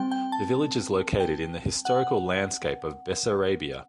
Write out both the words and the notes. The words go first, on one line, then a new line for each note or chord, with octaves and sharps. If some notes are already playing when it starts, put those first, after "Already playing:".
The village is located in the historical landscape of Bessarabia.
Already playing: G3 C4 G5
G5
A5
G5
F#5